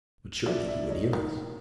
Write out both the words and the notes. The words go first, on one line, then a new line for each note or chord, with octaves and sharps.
"But surely he would hear us."
E3 D5 E5
D5 E5
C#5 D#5
D#3